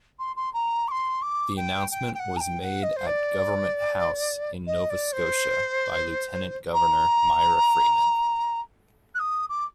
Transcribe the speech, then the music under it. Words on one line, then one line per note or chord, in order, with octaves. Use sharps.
The announcement was made at Government House in Nova Scotia by Lieutenant-Governor Myra Freeman.
C6
C6
A#5
D6
C6
D6
G5
G5
G5
F#5
A#5
G5
G5
F#5
D#5
C5
D5
D#5
D5
C5
A#5
F#6
D#6
D6